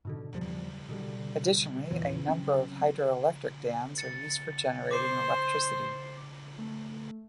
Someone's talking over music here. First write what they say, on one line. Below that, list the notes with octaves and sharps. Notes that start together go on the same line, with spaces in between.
Additionally, a number of hydroelectric dams are used for generating electricity.
G#2 B2 D3
E2 F3 G3
B2 D3 G3
E2 A#2 E3 F3
C#3 F#3 C4 C#4
A6 C#7
C5 D6 C7
A3